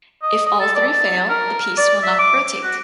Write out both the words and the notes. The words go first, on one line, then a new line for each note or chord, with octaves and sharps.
If all three fail, the piece will not rotate.
D#5
D#5
A4
D5
A5
A#4
D5
E5
D6
F#4